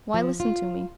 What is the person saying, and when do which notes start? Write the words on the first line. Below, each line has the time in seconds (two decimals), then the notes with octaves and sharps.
Why listen to me?
0.14 F3
0.40 F4